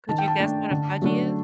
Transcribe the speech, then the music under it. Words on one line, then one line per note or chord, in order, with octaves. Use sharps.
Could you guess what a "fudgy"
D#3 A5
G5
A5
A3 D4
D3
F#3 A3 D4